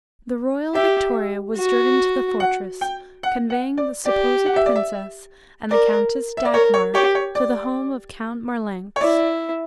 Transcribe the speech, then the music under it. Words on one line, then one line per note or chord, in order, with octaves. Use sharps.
The royal victoria was driven to the fortress, conveying the supposed princess and the Countess Dagmar to the home of Count Marlanx.
G4 E5
F#4
F#5
G5
F#5
F#5
D5
G4 D5
F#5
E5
D5
E5
A#4 D5
E5
D5
A#4 C#5
C#5
G4 C#5
C#5
D5
C#5
E4 D5